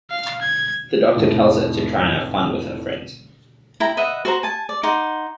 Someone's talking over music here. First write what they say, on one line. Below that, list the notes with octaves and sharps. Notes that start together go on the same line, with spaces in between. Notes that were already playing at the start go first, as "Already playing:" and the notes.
The doctor tells her to try to have fun with her friends.
F5
G#6
F1 A2
E4 G5 A#5
B4 D#5 E5 F#5
F#4 C5 A#5
G#5 A5
D5
D#4 F#5 C6 D6